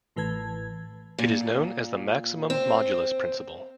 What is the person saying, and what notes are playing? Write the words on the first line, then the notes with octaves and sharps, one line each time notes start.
This is known as the maximum modulus principle.
A1 A2 E3 B4 A5 G#6
A#2
C4